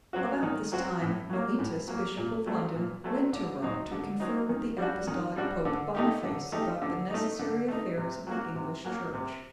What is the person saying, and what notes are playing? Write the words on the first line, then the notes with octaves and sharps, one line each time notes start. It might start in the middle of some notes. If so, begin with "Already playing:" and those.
About this time, Mellitus, bishop of London, went to Rome, to confer with the Apostolic Pope Boniface about the necessary affairs of the English Church.
F#3 C4 F#4
D#3
F#3 C4 F#4
A2
F#3 A#3
A2
F#3 A#3
A#2
F#3 A3 C4
A#2
F#3 A3 C4
D3
F#3 C4 D#4
D3
F#3 C4 D#4
D#3
G3 D4 F#4
D#3
G3 D4 F#4
D3
A3 D#4 G4
D3
A3 D#4 G4
D3
A3 D#4
D3
A3 D#4
C3
F#3 A#3 F#4
C3
F#3 A#3 F#4
C3